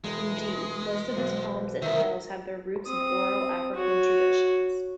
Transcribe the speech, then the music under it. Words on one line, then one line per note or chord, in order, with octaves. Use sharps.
Indeed, most of his poems and tales have their roots in oral African traditions.
E1 G#3
B1 C5
C2 D#3 A#4 E5
C4 D#6
F#4 C#5